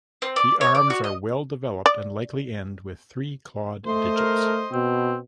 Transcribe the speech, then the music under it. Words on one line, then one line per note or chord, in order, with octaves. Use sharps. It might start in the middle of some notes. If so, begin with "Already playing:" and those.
The arms are well developed and likely end with three clawed digits.
C4
D5
C#5
D5
F#4
D#5
D5
A3 C5 D#5 C6
A#4
B2 C4